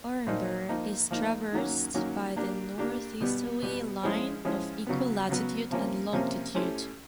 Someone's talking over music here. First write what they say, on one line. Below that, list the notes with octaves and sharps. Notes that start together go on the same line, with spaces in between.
Orenburg is traversed by the northeasterly line of equal latitude and longitude.
A#2 F3 A#3 D#4
F3 A#3 D#4
F3 A#3 D#4
D#3 F#3 A#3 C#4
D#3 F#3 A#3 C#4
A#3 D4 G4
A#3 D4 G4
B2 G3 B3
B2 G3 B3
F3 G#3 C#4 E4
F3 G#3 C#4 E4
C#3 F#3 B3
C#3 F#3 B3
C3 F3 A#3 C#4
C3 F3 A#3 C#4
A3 C#4 E4 G4 C5